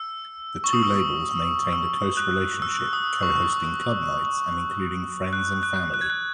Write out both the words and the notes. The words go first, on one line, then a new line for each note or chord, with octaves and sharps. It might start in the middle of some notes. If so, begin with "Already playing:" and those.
The two labels maintained a close relationship, co-hosting club nights including "Friends and Family".
Already playing: E6
C#6
D#6
E6
E6
F#6
E6
D#6
C#6
D#6
F#6
F#6
F#6
G#6
F#6